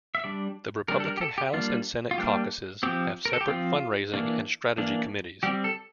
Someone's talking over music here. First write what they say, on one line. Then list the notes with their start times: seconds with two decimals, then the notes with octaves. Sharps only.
The Republican House and Senate caucuses have separate fundraising and strategy committees.
0.15 E5
0.24 G3 D4 D5
0.88 G3 D4 A#4
1.00 A4
1.05 A#4
1.17 G4
1.21 A4
1.38 G4
1.54 G3 A#3 D4 F4
2.11 F4
2.18 G3 A#3 D4 G4
2.83 F3 C4 G4
3.26 A#4
3.33 A4
3.41 G4
3.48 F3 C4 F4
4.14 E3 A#3 D4
4.78 E3 A#3 D4
5.43 G3 C4 G4
5.64 A4